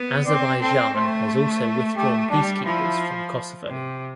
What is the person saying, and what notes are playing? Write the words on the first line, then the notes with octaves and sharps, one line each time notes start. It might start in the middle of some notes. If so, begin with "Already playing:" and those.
Azerbaijan has also withdrawn peacekeepers from Kosovo.
Already playing: B3
C4 D5
C4 A4
A3 C5
A3 G4
G3 D4
F3 E4
C3